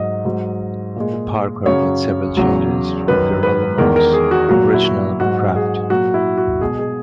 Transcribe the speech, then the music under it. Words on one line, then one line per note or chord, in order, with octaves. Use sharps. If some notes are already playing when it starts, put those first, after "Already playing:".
Parker made several changes from Gerolmo's original draft.
Already playing: G#2 F#3 D#5
G#2 F#3
A#2 G#3
F#2 C#3 F#3 C#5
E2 C#3 F#3
F#2 D#3 F#3 B4
B4
E2 D#3 G#3 A#4
A#4
G#4
F#4
A#2 F#3 F#4
E4
F#4
G#2 F#3 F#4
G#4
A#2 F#3 F#4
E4
F#4
B2 G#3 G#4
G#4